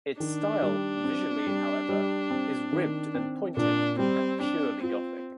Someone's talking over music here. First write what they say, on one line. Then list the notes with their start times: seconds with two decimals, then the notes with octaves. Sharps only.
Its style, visually however, is ribbed and pointed and purely Gothic.
0.20 D#3 D4
0.62 G3
1.04 C4
1.47 G3
1.89 G3
2.31 C4
2.73 D#3
3.15 C4
3.57 A#2 D4
3.99 G3 C4
4.40 C4 D4
4.83 C4 F4